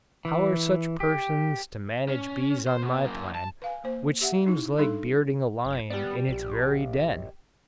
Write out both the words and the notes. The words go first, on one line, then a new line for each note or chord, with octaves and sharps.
How are such persons to manage bees on my plan, which seems like bearding a lion in its very den!
E3
G4
C#4
C5
B2
F#2 A#3
A5
B4 F5 G#5
A#3 C5
G4 E5 F#5
D#4 E4
G3 D4 D#4 A4
F#1
B3 G4 D5
A#1